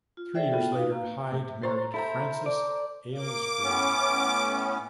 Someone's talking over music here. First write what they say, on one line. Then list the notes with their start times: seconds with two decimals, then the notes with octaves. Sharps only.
Three years later, Hyde married Frances Aylesbury.
0.17 F4
0.35 G#4 A4 C5 D5 E5 G5
0.52 B3 F4 F#4 A4 G5
0.72 D#4 F4 F#4 B4 F5
0.92 A#3
1.32 C3
1.63 C5 C#5 A#5 A6
1.94 E4 A4 C5 A#5
2.46 D5
3.13 A#3 D6
3.63 A2 B3 C#4